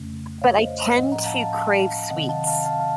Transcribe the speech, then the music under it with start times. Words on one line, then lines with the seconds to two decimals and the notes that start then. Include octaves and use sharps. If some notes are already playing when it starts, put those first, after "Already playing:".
but I tend to crave sweets.
Already playing: F2 C#3 A3 C#4
0.42 C#5 F5
0.60 C5 D#5
0.97 A2 F3 A#3 C#4 D#5 F#5
1.12 F#5 A#5
1.25 F5 A5
1.40 F5 A5
1.54 F5 A5
2.10 C3 D#3 F#3 C4 D#5 F#5
2.29 F5 A5
2.48 F5 A5
2.66 F5 A5
2.80 F5 A5